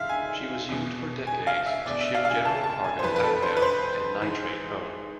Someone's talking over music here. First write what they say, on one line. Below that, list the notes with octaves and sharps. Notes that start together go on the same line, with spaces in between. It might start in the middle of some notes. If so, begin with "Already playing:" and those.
She was used for decades to ship general cargo outbound and nitrate home.
Already playing: G#2 E3 E5 F5
G#5
E2 B2
G#5
F5
E5
E2 B2 D5
E5
F5
F5
G#5
A5
A5
G#5
C5
F2 E3 B4
B4
A4
C5
B4
C5
G#2 E3